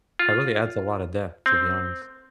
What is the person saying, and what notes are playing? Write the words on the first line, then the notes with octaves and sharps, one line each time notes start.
That really adds a lotta depth, to be honest.
F4
C4